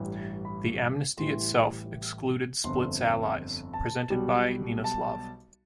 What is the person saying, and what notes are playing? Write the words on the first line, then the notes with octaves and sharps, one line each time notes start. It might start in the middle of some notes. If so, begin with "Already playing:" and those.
The amnesty itself excluded Split's allies, presented by Ninoslav.
Already playing: A1 G2 E3
B5
A1 A2 E3 G3 C6
G1 F2 D3 C6
A5
B1 B2 G3
A5